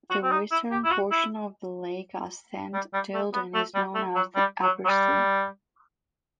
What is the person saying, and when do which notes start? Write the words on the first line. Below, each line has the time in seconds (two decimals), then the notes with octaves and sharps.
The western portion of the lake at Saint Gilgen is known as the "Abersee".
0.11 F#4
0.23 C4
0.31 D#4
0.51 E4
0.71 G4
0.84 E4
0.91 F#4
1.11 E4
2.74 G3
2.93 G3
3.14 A3
3.33 B3
3.54 A3
3.75 G3
3.95 A3
4.15 F#3
4.36 G3
4.62 F#3
4.85 F#3
4.89 G3